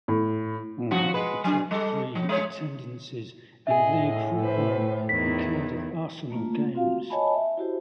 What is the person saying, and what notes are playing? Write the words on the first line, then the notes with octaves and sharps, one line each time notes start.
All of the top three attendances in league football occurred at Arsenal games.
A2
C3 F3 F#4
G#3 B4
F#3 D4
G3 A4
F3
G#3 C#5
A2 G#4 D#5 E5 G#5
B4 C5
E2 D#3 E4 B6
A3 A#3 F4
C4 F4 F#4 F5
C#5 D#5 G#5 A5 B5
E5
E4 F#4 G4 C5